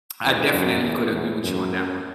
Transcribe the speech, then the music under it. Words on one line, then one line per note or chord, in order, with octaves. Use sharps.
I definitely could agree with you on that one.
E2
F#2
E2
E2
F#2